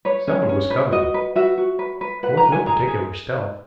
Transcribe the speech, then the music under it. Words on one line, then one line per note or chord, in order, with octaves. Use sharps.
Someone was coming, and with no particular stealth.
B4 C#5
C#4
C#4
B4
F#4 D#5
B4
F#4 E5
F#4
B4
B4
B4 F#5
A#5
B4
G#5
G#4 A#5
G#4